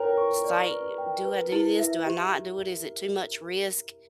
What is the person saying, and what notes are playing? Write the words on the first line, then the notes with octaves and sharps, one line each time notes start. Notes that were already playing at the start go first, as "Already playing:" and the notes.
It's like, "Do I do this? Do I not do it? Is it too much risk?
Already playing: A#4 B4 C#5 G5
C#6
D5
B4
G5
B4
E4
E5
G4